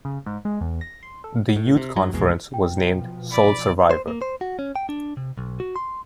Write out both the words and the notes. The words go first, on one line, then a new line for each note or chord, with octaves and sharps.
The youth conference was named Soul Survivor.
C#3
G#2
G#3
E2
A#6
C6
A4
A2
C3
G2 F#3
A#1 E2 B2 G#3
B2 F3 G5
D5 B5
C5
A#3
C5
F#4
C#4
G5
D4
C3
B1
F#4
C6